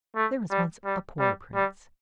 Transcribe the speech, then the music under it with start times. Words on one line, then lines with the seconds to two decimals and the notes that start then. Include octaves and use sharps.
There was once a poor Prince.
0.15 A3
0.51 G3
0.85 G3
1.19 G3
1.55 G3